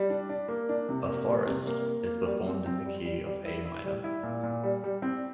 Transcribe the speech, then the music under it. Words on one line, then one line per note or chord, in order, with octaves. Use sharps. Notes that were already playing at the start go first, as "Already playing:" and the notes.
"A Forest" is performed in the key of A minor.
Already playing: G3
D4
D4
A#3
D4
C3
A#3
G3
C3
A#3
A#3
A#3
G3
C4
C4
G3
G3
G3
E4
E4
G3
E4
A#2
A#2
G3
G3
C4